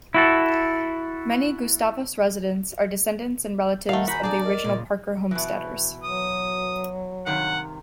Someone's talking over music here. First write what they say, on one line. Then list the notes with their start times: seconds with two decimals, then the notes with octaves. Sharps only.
Many Gustavus residents are descendants and relatives of the original Parker homesteaders.
0.14 E4 F#4 A4
3.89 D#2 D#3 A3 D#5 F5 F#5 A#5
4.08 F#4 G#5 A#5 B5 G6
4.23 D4 G#4 D5
4.43 A#4 D#5
4.64 A#2 C#3
5.31 B2 E3
6.03 F#3 D#6
7.26 G2 C3 D#3 F#5